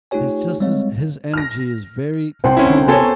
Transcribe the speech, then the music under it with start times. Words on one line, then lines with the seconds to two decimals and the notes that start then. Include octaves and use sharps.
He's just this His energy is very cool,
0.11 A3 D#4 F4 G4 C#5 G#5
0.60 G3 G#3 C4 C#5 D#5 F5
1.34 F6 A#6
2.44 C2 C4 F#5 C6
2.57 C#4 E4
2.88 B3 F#4 A4 A#4 C#5 G#5 A5 C6